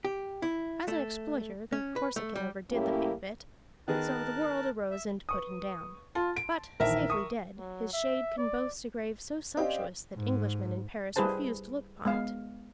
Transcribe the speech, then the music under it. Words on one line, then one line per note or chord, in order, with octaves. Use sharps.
As an exploiter, the Corsican overdid the thing a bit--so the world arose and put him down; but safely dead, his shade can boast a grave so sumptuous that Englishmen in Paris refuse to look upon it.
G4
E4
A3
C#4
B4
A3
G3
F#2 A2 A#3 C#4 E4 G4
D#3 B3 G#4 A#4 A5 F#6
E5
B4 C#6 D#6
F4 A5 C6
D7
A#1 D#3 E3 A#4 E5
C#6 D#6
F#3
E5
D5
C4 C#4 G4 D5 D#5 F5
G#2
G3 E4 G#4 B4 C5 A5
G#3 B3 F5